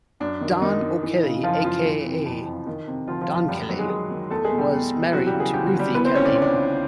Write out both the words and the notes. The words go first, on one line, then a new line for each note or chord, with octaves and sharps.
Don O'Kelly aka Don Kelly was married to Ruthie Kelly.
F#2 D4
D#3
F#2 D#3 D#4
D#3
E3
C#3
F#2 F3 F4
F#2 F3 F4
E3
C3
F2
F2
D#3
C3
D2 F3 F4
F3 F4
D2
F3 F4
F#2 G3 G4
D#3 F#3 F#4
G#3 G#4
F#2 G#3 G#4
D#3
E2 A3 A4
G#3 G#4
B2
G3 G4
E2
B2
E3 F#3 F#4
G3 G4
C#3
G#4
D2 G4
F#4
D2 G3 G4
E3 B3 B4
C4 C5
C#3 C#4 C#5
D5
C#2 C#5
D4 D5
C#2